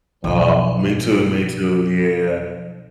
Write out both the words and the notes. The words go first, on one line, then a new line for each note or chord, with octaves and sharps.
Uh, me too. Me too. Yeah.
B1 F3